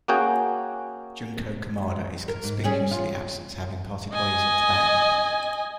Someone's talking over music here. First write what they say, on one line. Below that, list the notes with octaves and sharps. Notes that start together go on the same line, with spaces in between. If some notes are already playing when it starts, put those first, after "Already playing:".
Junko Kamada is conspicuously absent, having parted ways with the band.
A#3 C#4 F#4 G#4 G5
A#4
G#2
G3 C#4 G#4
F4
D#5 G#5